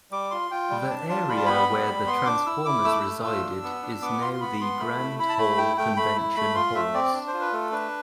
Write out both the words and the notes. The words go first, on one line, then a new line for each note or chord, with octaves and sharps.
The area where the transformers resided is now the Grand Hall convention halls.
G3 D6
F4 C6
F4 G5
G3
D4 A5
F4 A5
G3 B5
A5
B3 B5
G3
G3
B3 C6
D4 D6
E4 E6
E4 D6
A3 E6
D6
A3 E6
F4 E6
D4
B3
D4
B3 D6
F4 C6
C6
B3 B5
B3 C6
A3 B5
E4
E4 B5
A5
A3 B5
E4 G5
A3 G5
A3 B5
E4
A3 B5
F4 C6
A3 E5
C4 D5
D4
C5
F4
B4
A3 A4
D4 B4